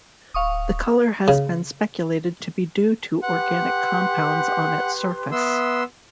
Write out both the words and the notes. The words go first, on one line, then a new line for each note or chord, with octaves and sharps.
The color has been speculated to be due to organic compounds on its surface.
D1 F5 C#6 D#6
C#3
G4 B4 F#5 C6
B3 E5 C6 D#6 E6